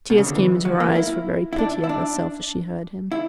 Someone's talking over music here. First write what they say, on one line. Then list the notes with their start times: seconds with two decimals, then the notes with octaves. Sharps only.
Tears came into her eyes for very pity of herself as she heard him.
0.10 B2
0.18 C#3
0.27 D3
0.35 E3
0.65 F#3
0.80 A#3
0.96 E4
1.53 E4
1.58 D4
1.84 E4
1.89 D4
3.12 E4